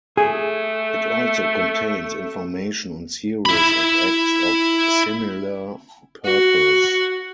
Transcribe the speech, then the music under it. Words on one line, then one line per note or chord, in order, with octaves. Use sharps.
It also contains information on series of acts of similar purpose.
A3 G#4
E4 B5
F#4